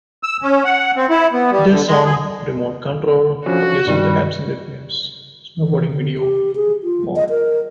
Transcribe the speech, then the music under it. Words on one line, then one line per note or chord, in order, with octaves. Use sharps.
Their song, "Remote Control" appears in the Absinthe Films snowboarding video, "More".
E6
C#4
F#5
C4
E4
B3
G3
D3
G#3
G#4
F3 C#4 D4 F#4
G2 C3 D#3 G3
E3
D3
G4
G#4
F4
D#5
A#4